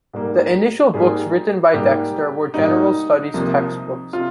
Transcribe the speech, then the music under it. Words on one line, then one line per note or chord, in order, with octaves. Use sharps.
The initial books written by Dexter were general studies text books.
G#2 G3 A#3
G#2 G3 A#3 G#4
G#2 G3 A#3 G4
G#2 G3 A#3 D#4
C2 C3 F3 A#3
C3 F4